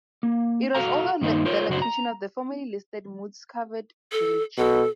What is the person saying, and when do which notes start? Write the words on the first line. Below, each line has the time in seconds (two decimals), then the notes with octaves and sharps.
It was also the location of the formerly listed Mood's Covered Bridge.
0.23 A#3
0.75 F#4 A4 F5 A#5
1.21 G2 D#3 A#3 D#4 C5
1.45 F4 A#4 C5 C#5
1.69 F#2 C#3 F#4 C5 D5
1.82 A#5
4.13 A4
4.58 B2 A4